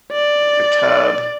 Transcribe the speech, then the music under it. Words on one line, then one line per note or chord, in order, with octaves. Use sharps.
the tub,
D5